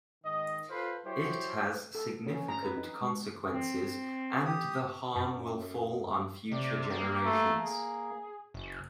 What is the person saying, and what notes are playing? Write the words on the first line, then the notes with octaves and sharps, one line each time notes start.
It has significant consequences and the harm will fall on future generations.
G#2 D#3 D#5
F4 A4 B4 C5 F5
F#3 E4 G4 C5 C#5
A4
C#4
A#5
B4
D#4
G#3
C4
G4 D#6
F#2
C3 D5
A#3
A3
G#4
F#1